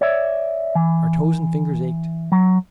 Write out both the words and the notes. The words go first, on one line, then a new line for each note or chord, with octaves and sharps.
Our toes and fingers ached.
C#5 D5 E5
E3
F#3